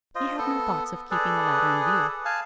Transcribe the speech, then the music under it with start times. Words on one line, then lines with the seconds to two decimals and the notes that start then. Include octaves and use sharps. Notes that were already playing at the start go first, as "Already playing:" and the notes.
He had no thoughts of keeping the latter in view.
0.15 F4 C5 D#5
0.38 B3 A4
1.11 G#4 A4 B4 D5
2.25 F5 G#5 A5